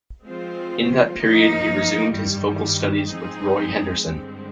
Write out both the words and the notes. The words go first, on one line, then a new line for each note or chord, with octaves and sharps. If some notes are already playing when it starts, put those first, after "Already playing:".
In that period he resumed his vocal studies with Roy Henderson.
F3 G#3 C4 F4 C5
F3 A#3 D#4
G2 D#3 G3
G#2 F3 C4 D#4 G#4
G2 D3 G#3 C4